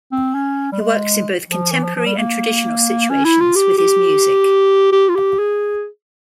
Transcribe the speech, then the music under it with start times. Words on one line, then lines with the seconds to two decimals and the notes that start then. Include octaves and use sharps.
He works in both contemporary and traditional situations with his music.
0.12 C4
0.35 C#4
0.72 G3
0.81 G#3
1.50 F3
1.72 E3
1.84 F3
1.96 F3
2.06 G3
2.18 A#3
3.10 C#4
3.25 E4
3.40 F4
3.56 G4
3.78 G4
4.92 G4
5.09 F4
5.15 G4
5.39 G#4